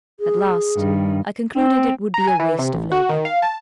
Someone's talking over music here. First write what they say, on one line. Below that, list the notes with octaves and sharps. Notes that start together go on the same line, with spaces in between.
At last I concluded it would be a waste of labour.
G#4
G2 D#3
C4
A#5
G#5
E3
C3
A1
F#4
D#3
F5
A5